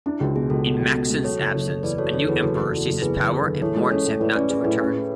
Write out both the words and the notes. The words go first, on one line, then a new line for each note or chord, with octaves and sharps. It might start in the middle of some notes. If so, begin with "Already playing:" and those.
In Macsen's absence, a new emperor seizes power and warns him not to return.
D4 E4
C#2 F#4
B2 G#4
C#2 F#4 A4
B2
C#2
B2
G#3
F#3 A4 C#5
F#1
F#1
F#1
E2 B4 D5
F#3 A4 C#5
D3 A4 C#5
E2 G#4 B4
F#1 F#4 A4
E2
E2
F#1
E2 G#4 B4
F#1
F#1
D3
E3 A4 C#5
G#3
C#4 A4 C#5
A2
A2 B4 D5
C#4 B4 D5
C#4 G#4 B4
A2 G#4 B4
C#4